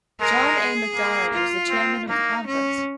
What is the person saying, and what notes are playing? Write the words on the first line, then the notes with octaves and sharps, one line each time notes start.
John A. Macdonald was the chairman of the conference.
G#3 A#4
G#4
A#3
F4
C4
A#3 D#4
C#4